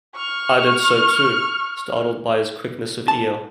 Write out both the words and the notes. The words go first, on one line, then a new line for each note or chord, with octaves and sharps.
I did so too, startled by his quickness of ear.
C#6 F6
A5